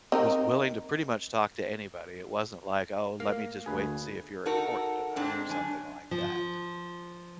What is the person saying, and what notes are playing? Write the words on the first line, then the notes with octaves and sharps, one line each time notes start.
was willing to pretty much talk to anybody. It wasn't like, "Oh, let me just wait and see if you're important enough," or something like that.
C4 D#4 A#4
A#3 F5
D2 G#4 B4
D#4 F#4 A4 A#4
G#2 G#3 C4 D4
F#2 D4 G#5
F3